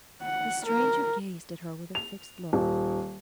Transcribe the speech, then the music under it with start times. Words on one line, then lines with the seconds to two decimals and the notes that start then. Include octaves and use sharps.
The stranger gazed at her with a fixed look.
0.22 F#5
0.66 A#4
1.95 F7
2.53 D#1